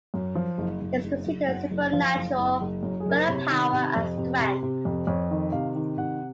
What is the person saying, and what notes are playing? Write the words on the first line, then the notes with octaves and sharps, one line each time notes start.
It is considered a supernatural bird of power and strength.
F#2
F3
F#1
F#1
F#1
F#1
F#2 F#5
F#1
F3 F5
F#1
F#1
F#1
F#2
G#4
F#1 A#4
C5
C3 C#5
D#3
C3
F2
C3
C3
C3
F2
F2 C#5
D#3
C3 F5
D#3
C3 F#5